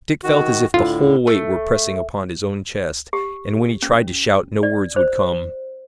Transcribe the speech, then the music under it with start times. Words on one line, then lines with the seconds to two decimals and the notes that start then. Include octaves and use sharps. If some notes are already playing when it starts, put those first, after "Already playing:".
Dick felt as if the whole weight were pressing upon his own chest, and when he tried to shout no words would come.
0.24 D#3 F#4
0.74 A2 D3 F4
1.27 A3
3.13 G4
3.83 C#4
4.63 D5
4.96 C5